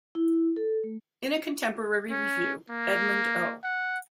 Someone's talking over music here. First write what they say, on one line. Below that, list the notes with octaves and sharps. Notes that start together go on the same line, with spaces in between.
In a contemporary review, Edmund O.
E4
A4
A3
C#4
A#3
F#5